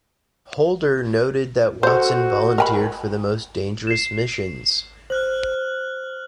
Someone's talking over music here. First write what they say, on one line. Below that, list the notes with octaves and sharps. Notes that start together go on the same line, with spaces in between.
Holder noted that Watson volunteered for the most dangerous missions.
F#4 A4 C5
A#4 G#5 B5
C7 E7
C5 F6 F#6 F#7